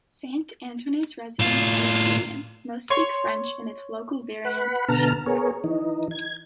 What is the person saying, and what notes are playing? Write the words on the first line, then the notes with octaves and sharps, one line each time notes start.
Saint-Antoine's residents are Acadian; most speak French in its local variant, Chiac.
A2 F4
C#5 C6 C#6
B4 F#5 B5
B2 D3 B3 A5 A#5 F6
B3 G#4 A#4 C#5
E3 D#4
G#6